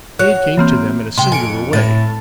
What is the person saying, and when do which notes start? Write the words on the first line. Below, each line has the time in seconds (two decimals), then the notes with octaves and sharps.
Aid came to them in a singular way.
0.19 F#4 C#5 F#6
0.57 E3 A#3 C4
1.17 C3 G5 C6
1.32 F2 G#5 C#7 D7
1.73 A2 A6